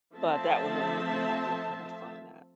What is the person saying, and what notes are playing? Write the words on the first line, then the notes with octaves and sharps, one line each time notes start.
but that would really make me happy if when I find that.
F3 A3 C4 E5 A5